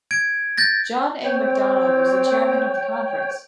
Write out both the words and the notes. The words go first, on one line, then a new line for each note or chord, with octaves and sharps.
John A. Macdonald was the chairman of the conference.
G#6 D7
G6 A6 A#6
C4 C#5 G5